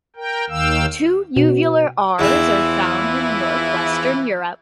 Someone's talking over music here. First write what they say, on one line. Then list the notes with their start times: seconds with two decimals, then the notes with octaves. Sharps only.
Two uvular Rs are found in north-western Europe.
0.16 A#4 G5
0.50 D#2 D#3 F5 G5 E6
1.36 B2
2.19 E2 E3 F3 C4 E4